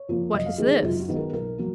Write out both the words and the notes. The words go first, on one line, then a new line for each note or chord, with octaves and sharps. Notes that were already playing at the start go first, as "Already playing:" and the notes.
What is this?
Already playing: C#5
F2 F3 A#3
F#2 D#5
F5
D#3 G#3 B3 G#4
D#4
F#2 F4
F#4
D#3 G#3 B3
A#4
B1 A#4
F#3 A#3